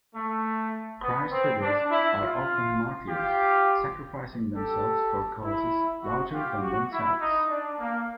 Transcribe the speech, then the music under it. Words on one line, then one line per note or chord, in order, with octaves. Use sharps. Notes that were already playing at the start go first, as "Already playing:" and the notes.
Christ figures are often martyrs, sacrificing themselves for causes larger than themselves.
A3
B3
C4
D4
E4
F4
F4 G4
G4 A4
E4
F#4
F4 G4
F#4
E4
D#4
D4
A#3